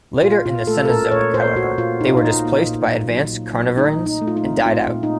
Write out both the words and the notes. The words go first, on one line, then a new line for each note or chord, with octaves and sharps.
Later in the Cenozoic, however, they were displaced by advanced carnivorans and died out.
A#2 F4
A#2 F4
A3 A4
A4
C#4 A#4
A#2 C#5
A#2 C5
A#2 F#4
A#2 F4
A#2 D#4
F4
D#4
A#2
A#3
A#2
A#2
F#3
A#2
F#3
A3 D#4
A#2
D#4
A3
F4
D#4
C4
C4 F4
A#2
D#4